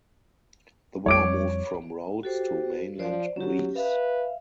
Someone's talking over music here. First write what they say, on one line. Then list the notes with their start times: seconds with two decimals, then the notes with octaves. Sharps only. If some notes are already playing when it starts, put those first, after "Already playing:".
The war moved from Rhodes to mainland Greece.
1.06 F2 G3 C#5 D6 D7
2.23 F#4 G4 A4 C5
2.99 F3 C5 D5
3.36 F#3 C#4 G4
3.76 B4 E5 F5